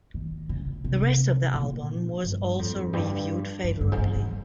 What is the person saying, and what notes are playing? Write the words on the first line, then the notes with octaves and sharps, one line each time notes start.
The rest of the album was also reviewed favourably.
D#3
C#3
C3
A#2
G2
F2
G2
G2
G2
G#2
G2
F2